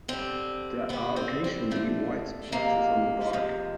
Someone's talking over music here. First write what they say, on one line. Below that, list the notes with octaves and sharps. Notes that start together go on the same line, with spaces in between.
There are occasionally white splotches on the bark.
D3 G3 C4
D3 G3 B3
C4
C4
D3 G3 A3
C3 F3 G#3 A#3
C3 F3 G#3